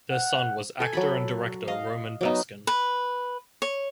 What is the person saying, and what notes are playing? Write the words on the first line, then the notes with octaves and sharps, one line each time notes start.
Their son was actor and director Roman Baskin.
F#5
A4 G#5
F#3 A4 B5
D#5 F5
F#3 B3 D#4
B4
C#5